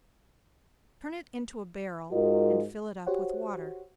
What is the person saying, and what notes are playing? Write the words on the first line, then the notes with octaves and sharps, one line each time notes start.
Turn it into a barrel, and fill it up with water.
G#2 F4 F#4 A#4 D#5
F#4 G4 C5 C#5 F#5